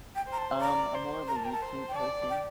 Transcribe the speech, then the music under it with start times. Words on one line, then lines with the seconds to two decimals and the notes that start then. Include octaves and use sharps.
Um, I'm more of a YouTube person,
0.15 G5
0.27 C5 A#5
0.38 A5
0.61 D5 A#5
0.95 C5
1.28 A#4 A#5
1.36 A5
1.45 G5
1.52 A5
1.62 C5
1.88 G5
1.96 D5 A5
2.30 G5